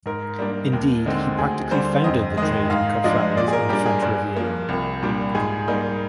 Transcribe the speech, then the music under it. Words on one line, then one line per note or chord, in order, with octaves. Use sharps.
Indeed he practically founded the trade in cut flowers on the French Riviera.
G#2 A#4
G3 A#3 D4
D#2
D3 G#3 C4 D#4
D2 G#4
D3 G3 C5
F2 D#5
D#3 G#3 D#5
G#2 F5
F3 G#3 D4 D#5
A#2 D5
G#4
A#4
G3 D4 G4
G#4
G2
F3 A#3
C2
A#2 G3 D4
G#2 G#4
G3 A#3 D#4